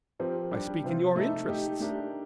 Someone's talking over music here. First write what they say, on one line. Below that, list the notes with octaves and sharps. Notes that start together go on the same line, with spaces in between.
I speak in your interests.
F3 C4 G4 A#4
G3 D4 G4
C3 F3 C4 F4
A3 D#4 A4
A3 D#4 G4
A3 D4 G4 A#4